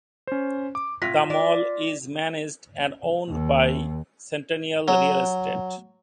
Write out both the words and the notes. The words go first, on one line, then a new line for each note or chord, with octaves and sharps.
The mall is managed and owned by Centennial Real Estate.
C#4 C5
D6
A2 F4 A#6 B6
D5
D#2
F#3